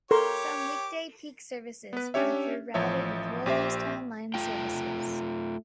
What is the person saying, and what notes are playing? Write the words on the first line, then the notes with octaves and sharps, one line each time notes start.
Some weekday peak services are through-routed with Williamstown line services.
G4 A4 A#4 C#5 C6 D6
B3 B4
C#4 D4 G4 C#5 E5
A1 F3 C#5 E5
A#1 G4 C5 E5
A3 F4 G5